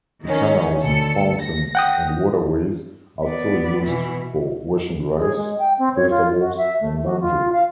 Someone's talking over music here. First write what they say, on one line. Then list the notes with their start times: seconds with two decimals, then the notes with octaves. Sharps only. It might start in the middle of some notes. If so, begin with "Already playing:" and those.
The canals, fountains, and waterways are still used for washing rice, vegetables, and laundry.
0.23 D#3 C#4
0.83 D2 A4 C#7
1.40 A#6
1.75 F#5 G5 D#6
3.24 B3 D5
3.83 B2 E3
5.17 G#4
5.37 G#3
5.59 G5
5.79 C4
5.96 C#5
6.10 F4
6.39 F#4
6.57 E5
6.81 A3
7.05 F#4
7.20 F4
7.53 F5